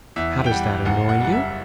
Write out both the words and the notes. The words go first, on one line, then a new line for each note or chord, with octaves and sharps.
"How does that annoy you?"
E2 E5
G5
G3 F#5
F#1 F#5
F#5
G3 F#5
E5